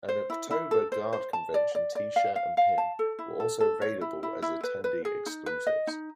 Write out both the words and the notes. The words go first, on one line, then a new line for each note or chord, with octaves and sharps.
An Oktober Guard Convention T-shirt and Pin were also available as attendee exclusives.
C5
E4
E4
A4
C5
C5
A5
D5
D5
D5
F5
F5
F5
A5
A4
E4
A4
A4
C#5
E4
E4
E4
B4
B4
G#4
D#4
B4
D#5
D#4